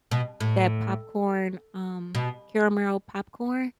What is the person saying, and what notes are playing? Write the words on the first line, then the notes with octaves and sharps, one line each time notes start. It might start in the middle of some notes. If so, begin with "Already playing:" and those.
that popcorn, um, caramel popcorn.
B2
A2
B2